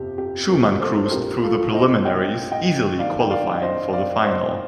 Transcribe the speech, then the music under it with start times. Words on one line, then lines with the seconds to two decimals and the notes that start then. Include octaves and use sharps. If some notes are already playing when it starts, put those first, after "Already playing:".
Schumann cruised through the preliminaries, easily qualifying for the final.
Already playing: G1 F2 C3 G4
0.18 G4
0.49 G4 A#4
0.80 A4 C5
1.05 C5
1.11 A#1 A#2 F3 C4 G4 A#4
1.43 F4 A4
1.74 C5 D#5
2.05 D#5 G5
2.52 D#5 G5
2.99 G2 D#3 A#3 D4 D5 F5
3.20 G5
3.30 D5 F5
3.61 C5 D#5
3.93 D5 F5
4.23 C5 D#5